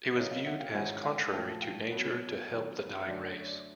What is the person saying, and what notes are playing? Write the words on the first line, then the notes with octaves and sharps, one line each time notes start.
It was viewed as contrary to nature to help the dying race.
C#3 F#3 A#3 C#5 D#5
D#5 F5
E5 F#5
F5 G5
G#2 D#3 G#3 C#4 E4 F#5 G#5
F5 G5
A#2 F3 A3 F5 G5
F5 G5
B2 F#3 B3
D#3 F#3 B3
F#2 D3 F#3 A3 D4 D5 E5
C#5
D5